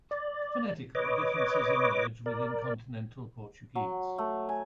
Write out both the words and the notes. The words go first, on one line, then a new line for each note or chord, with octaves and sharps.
Phonetically, differences emerge within Continental Portuguese.
D5
B4 C#5 D#5 D6
A#4 D5
F#3
A3
G#5